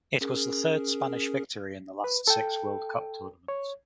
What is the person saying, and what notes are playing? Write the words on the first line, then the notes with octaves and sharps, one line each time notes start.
It was the third Spanish victory in the last six World Cup tournaments.
C#4 G#4 A#4
B4
A4 G5
C#5